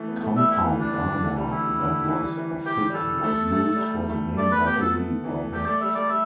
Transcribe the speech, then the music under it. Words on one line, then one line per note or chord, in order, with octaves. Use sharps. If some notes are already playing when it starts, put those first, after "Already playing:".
Compound armor that was thick was used for the main battery barbettes.
Already playing: E3 A3
B3
A3
G3 E5
E4
E3
D4
D3
E3
A3
G3
E3 E4
D3
E3
G3
E3
E3
E3 G4
G3
E3 A4
A3
A3
G3
A3
A3
A3 D5
B4
B3
G4
B3 A4
A3
E3
A3 G4
A3 D5
G3 E5
A3 D5
G3 E5